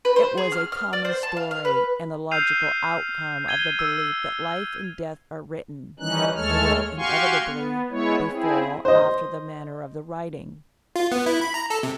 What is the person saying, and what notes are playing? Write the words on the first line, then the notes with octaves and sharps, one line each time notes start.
It was a common story and the logical outcome of the belief that life and death are written and will inevitably befall after the manner of the writing.
B4
C5
G#4
F6
F6
D5
C5
A5
F5
F5
B4
E6 F6 G6 C7 D#7 F7
G#6 D#7 G7
E6
D#3 E3 G3 C#4 D#4 F#6
D#2 G#3 A3 A4 C#5 F6
F#4 G4 F5 G#5 C6 C#6
B3
G#3 B3 E4 C#5
C4 E4 G#4
C5 D#5
F4
B3
E4
B5
A#5
A4
C3